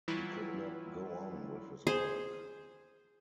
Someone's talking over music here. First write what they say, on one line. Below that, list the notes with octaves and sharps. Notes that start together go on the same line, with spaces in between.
He could not go on with his work.
E3 F#3 G3 E4 F4 B4
G#4 C5